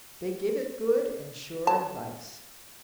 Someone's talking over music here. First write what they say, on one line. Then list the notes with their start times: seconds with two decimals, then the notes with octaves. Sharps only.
They give it good and sure advice.
1.67 A5